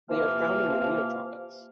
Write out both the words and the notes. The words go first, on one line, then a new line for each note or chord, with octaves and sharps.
They are found in the Neotropics.
C3 E3 F3 A#3 F5